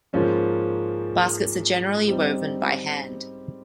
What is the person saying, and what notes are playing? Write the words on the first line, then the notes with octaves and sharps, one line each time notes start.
Baskets are generally woven by hand.
G#2 F3 A#3 C#4 F4
G3 C4 D#4